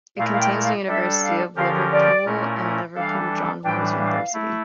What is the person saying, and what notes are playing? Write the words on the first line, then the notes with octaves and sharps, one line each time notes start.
It contains the University of Liverpool and Liverpool John Moores University.
A#2 A3 E4 A#4 F5
F5
G5
F5
G3 D4 A4 E5
F5
D3 F3 C#4 G4 A#4 F5
D5
A#2 A3 C#4 E4 A#4
E3 G3 D4 A4 F5
A2 E3 G3 D4 G5
F5
A3 E4